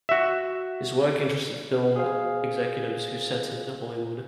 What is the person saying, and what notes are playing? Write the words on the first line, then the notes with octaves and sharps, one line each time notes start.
His work interested film executives who sent him to Hollywood.
F#4 E5
G#4 C5 F5